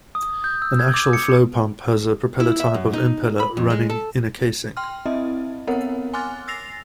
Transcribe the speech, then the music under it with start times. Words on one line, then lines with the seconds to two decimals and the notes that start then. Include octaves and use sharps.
An axial flow pump has a propeller-type of impeller running in a casing.
0.15 D#6
0.44 G6
0.62 E6
0.79 G#6
0.94 D6
1.13 C#7
2.40 E4
2.60 E5
2.74 F#2
2.93 D#4
3.40 B5
3.57 F2
3.70 G#3
3.90 A4
4.77 G5 C6 F6
5.06 C4 E4 D#5 E5
5.67 B3 C4 A#4 C#5 F#5
6.13 G#5 C6 D6 F6 F#6 A6
6.48 E6 A6 A#6 C7 F7